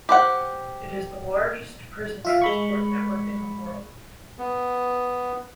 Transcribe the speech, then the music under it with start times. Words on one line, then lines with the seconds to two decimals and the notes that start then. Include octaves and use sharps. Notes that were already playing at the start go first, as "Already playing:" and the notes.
It is the largest prison transport network in the world.
0.09 G4 C5 F#5
2.25 F4 E5 F5
2.41 G#3 B5 C#6
4.39 B3